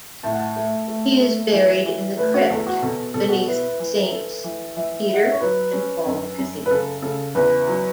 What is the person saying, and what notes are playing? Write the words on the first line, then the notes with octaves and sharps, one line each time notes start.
He is buried in the crypt beneath Saints Peter and Paul Cathedral.
A2 A5
F#5
A5
A3
A3
A3
E3
E3
A3 B4
F#4
E2 A4
F#4
B2 A4
B2 A4
F#4
A4
E4 B4
E3
A4
E3
E3 E5
E4 F#5
E5
C#5
F#3 B4
C#4
F#2
F#2
B4
C#3 A4
C#3 A4
E2 B4
F#3